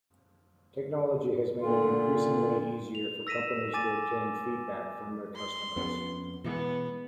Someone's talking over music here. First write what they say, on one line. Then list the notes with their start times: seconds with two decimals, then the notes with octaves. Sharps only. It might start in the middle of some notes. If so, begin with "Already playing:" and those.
Technology has made it increasingly easier for companies to obtain feedback from their customers.
1.61 A#2 D3 F4
2.95 F7
3.27 E6 A#6 B6 D#7 E7
3.74 G#5 D6 A6 D#7
5.35 C6
5.76 F2 B3 C#4
6.44 B2 E3 G#3 B3